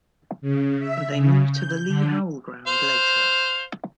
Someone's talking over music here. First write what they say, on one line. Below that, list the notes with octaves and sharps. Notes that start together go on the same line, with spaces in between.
They moved to the Lee Howl ground later.
C#3
E5
C#3
G6
D3
C5 F5